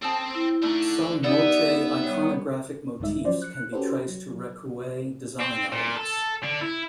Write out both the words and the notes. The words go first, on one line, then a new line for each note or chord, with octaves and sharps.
Some Moche iconographic motifs can be traced to Recuay design elements.
C4 A4 A5 D#6
E4
D3 A3 D#4
B3 D#4 G4 D5 E5
G3 C#5
A#1 G2 D3 G#3 D#4 E5
F3 F#3 C#4 C5 D5
F#6 C#7
C#4 F#4 G4 A4 B4 C5
F#3
C4
A#2
A4
D3
E4